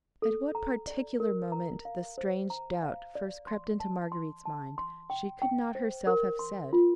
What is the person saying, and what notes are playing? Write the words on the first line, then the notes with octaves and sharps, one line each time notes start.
At what particular moment the strange doubt first crept into Marguerite's mind, she could not herself have said.
A4
A#5
D5
A#4
A#5
F5
C5
A#5
F5
D5
C6
A5
C6
A5
C6
G5
G5
C5
A#4
C6
F4